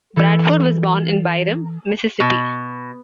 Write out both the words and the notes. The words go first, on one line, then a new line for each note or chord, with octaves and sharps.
Bradford was born in Byram, Mississippi.
E3 A4 G6 G#6
B2